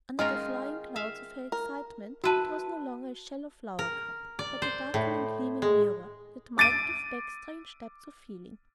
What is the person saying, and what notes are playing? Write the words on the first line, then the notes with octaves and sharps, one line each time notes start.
Under the flying clouds of her excitement it was no longer a shallow flower-cup but a darkening gleaming mirror that might give back strange depths of feeling.
D#3 G#3 C#4 F4 A#4
E5 F5
A#4
E4 F#4 B4 A5
A#4
D5
C5
A2
G#3
D6 A6 D7 D#7